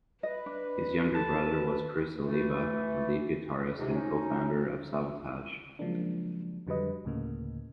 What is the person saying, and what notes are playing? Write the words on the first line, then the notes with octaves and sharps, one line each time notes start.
His younger brother was Criss Oliva, the lead guitarist and co-founder of Savatage.
B4 D#5
D4
A4 A5
E3 A3
G#2 C3
C#4 D#4
C#3 F3 F#3 G#3 A#3 D4
F2 D3 F#3 G3 B4 D#5
D2 A2 C#3 A#3